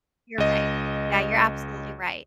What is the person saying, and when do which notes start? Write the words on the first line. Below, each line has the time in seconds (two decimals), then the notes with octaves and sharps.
You're right. Yeah, you're absolutely right.
0.38 C#2 D#5